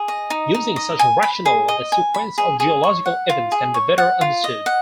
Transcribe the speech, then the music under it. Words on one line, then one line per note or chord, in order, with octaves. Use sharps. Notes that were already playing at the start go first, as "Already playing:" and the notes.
Using such rationale, the sequence of geological events can be better understood.
Already playing: G#4
D#5
D#4
D#4
D#5
G#5
B5
G#4
D#5
G#5
B5
G#4
G#4
C#5
F#5
F4
G#4
C#5
F#5
F4
D#5
F#5